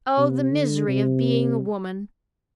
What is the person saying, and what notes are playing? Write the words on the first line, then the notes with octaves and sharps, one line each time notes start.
Oh, the misery of being a woman!
C3
D3
C3